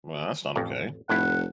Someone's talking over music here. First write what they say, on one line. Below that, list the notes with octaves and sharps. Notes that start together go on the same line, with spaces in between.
Well, that's not okay.
A1 F2
F1 A2 E4 F#5